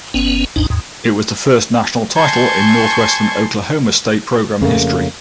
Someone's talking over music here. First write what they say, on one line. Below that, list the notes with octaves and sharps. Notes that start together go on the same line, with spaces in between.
It was the first national title in Northwestern Oklahoma State program history.
G1 B3 C#4
G#1 D#2 G#2 D4 D#4
D#2 G#2
G#5 A5 C6 C#6 G6 G#6
F2 C#3 A3 A#3